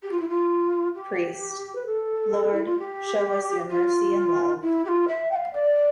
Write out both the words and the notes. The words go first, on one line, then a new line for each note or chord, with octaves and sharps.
Priest: Lord, show us your mercy and love.
G4
F4
E4
F4
G4
B4
A4
E4
F4
G4
F4
E4
G4
F4
E5
G5
F5
D5